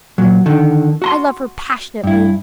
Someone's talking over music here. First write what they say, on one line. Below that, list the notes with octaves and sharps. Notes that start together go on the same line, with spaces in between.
I love her passionately.
A#2 F#3
D3 D#3
F#4 A#5 C6
G2 E4